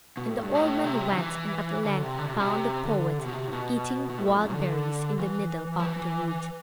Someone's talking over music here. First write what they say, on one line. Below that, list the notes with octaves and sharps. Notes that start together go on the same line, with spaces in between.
And the old man went, and at length found the poet eating wild berries in the middle of the wood.
B2
A2
G2
A2
C3
D3
E3
D3
C3
D3
C3
B2
C3
D3
C3
B2
C3
A2
B2
B2
A2
F2
D3
E3
F3
E3